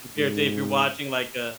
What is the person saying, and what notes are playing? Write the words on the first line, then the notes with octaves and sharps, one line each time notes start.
compared to if you're watching, like, a
G#2